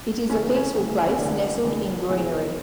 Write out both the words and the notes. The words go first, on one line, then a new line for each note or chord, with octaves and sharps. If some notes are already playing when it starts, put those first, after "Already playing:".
It is a peaceful place nestled in greenery.
D2 C#3 E3 C#4
A#3
C#4
D2 C#3 E3
C#4
F1 E2 D3 A#3
F1 E2 D3
E1 E2 C#3 E3